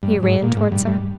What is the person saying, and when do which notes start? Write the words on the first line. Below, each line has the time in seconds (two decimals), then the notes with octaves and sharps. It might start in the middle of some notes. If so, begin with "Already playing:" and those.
He ran towards her.
0.03 G2
0.23 G#2
0.42 A#2
0.57 G#2
0.72 G2
0.87 G2